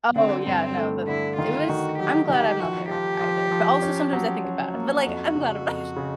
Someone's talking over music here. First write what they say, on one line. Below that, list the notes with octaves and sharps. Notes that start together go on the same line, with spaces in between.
Oh, yeah, no, the it was I'm glad I'm not there e either, but also sometimes I think about it, but like, I'm glad I'm not
D3 C4
G2 C4
A3
D3 E4
D#3 F4
D#3 F#4
F#3 G4
D#3 G4
F3 F#4
F3 G4
F3
F3
C#4
F#3
C#4 F#4
A#3
F2
C#3
F2
C#3